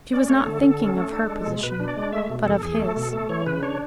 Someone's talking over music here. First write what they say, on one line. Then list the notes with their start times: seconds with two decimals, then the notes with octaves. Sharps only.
She was not thinking of her position, but of his.
0.13 C#4 D5
0.30 A3 C#5
0.46 D3 A4
0.63 D3 A4
0.80 C#4
0.96 A3
1.13 D4
1.30 G#3
1.46 B2
1.63 B2 B4
1.80 D4
1.88 D5
1.97 G#3
2.12 A3 E5
2.30 B2
2.46 E2 A4
2.63 E2 G#4
2.80 A3 A4
2.96 B2 A4
3.13 A3 A4
3.29 E3 C#5
3.46 C#3 B4
3.63 D4 C#5